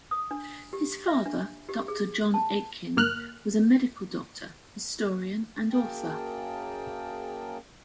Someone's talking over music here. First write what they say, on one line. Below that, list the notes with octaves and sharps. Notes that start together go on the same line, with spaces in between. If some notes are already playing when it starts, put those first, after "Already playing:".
His father, Doctor John Aikin, was a medical doctor, historian, and author.
D#6
D4
G4
E5
D4
G4
G#4
A5
G1 A#3 F6 F#6
F#2 A#3 G#4 A#4 G5 A5